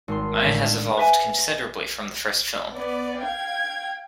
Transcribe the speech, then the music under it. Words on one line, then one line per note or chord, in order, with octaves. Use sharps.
Maya has evolved considerably from the first film.
G#1 C6
A2 D3
B4 E5 G#5
B3 D5
F5 G5 G#6